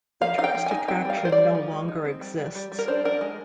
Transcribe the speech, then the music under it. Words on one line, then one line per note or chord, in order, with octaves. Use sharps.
The tourist attraction no longer exists.
F3 F5
D#4 F5
G5
F3
D#4 G#5
C4 G5
G3 F5
A#4
G3 C5
D5
G3
F3
G#3
D#4
C4
G3
G3
G3
G3
A#4
D4 C5
D4 A#4
G#3